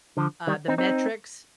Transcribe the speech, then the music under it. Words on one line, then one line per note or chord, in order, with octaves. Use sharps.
uh, the metrics
D3 F3
D#3 G3
C4 D#4
C4 D#4